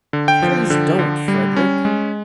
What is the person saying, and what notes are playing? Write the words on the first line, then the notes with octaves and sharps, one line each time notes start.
Please don't, Frederick!
D3
G5
F3
D3
D3
G3
C#4
G#3